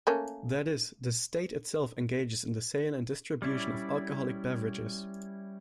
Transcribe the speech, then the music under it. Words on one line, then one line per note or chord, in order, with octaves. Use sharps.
That is, the state itself engages in the sale and distribution of alcoholic beverages.
A3 A#3 C#4
G3 C#4 E4 D5